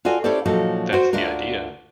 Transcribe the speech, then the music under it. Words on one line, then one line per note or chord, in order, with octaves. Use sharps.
That's the idea.
F4 F#4 A4 D5 G#5
C#4 E4 G4 A4 C5 D5
A#2 F3 F#3 D#4 A4
F#4 C5
D2 D4 F4 A#4